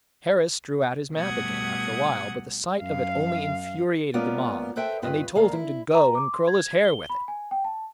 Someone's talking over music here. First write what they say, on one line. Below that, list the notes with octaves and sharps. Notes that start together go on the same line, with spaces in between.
Harris drew out his map again, after a while, but the sight of it only infuriated the mob, and they told him to go and curl his hair with it.
B2 G3 A3 F#5 D#6 G#6
F#2 F5
G#3 A#3 B3 C#4 F4 D5
A4 B4 C5 E5 G5
G2 C4 F4 B4 D#5
D2 A#3 F5
E4
A#5
D6
C6
G#6
G7
B5
G#5
G5
A5